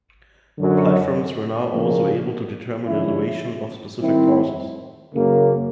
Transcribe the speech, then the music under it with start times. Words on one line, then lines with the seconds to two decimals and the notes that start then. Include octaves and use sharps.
Platforms were now also able to determine the elevation of specific parcels.
0.58 F#2 D3 F#3
1.72 C#3 F3 A#3
2.86 D3 F3 G#3 C#4 E4
4.00 D#3 G3 C4 E4
5.14 F#2 C#3 F#3 A#3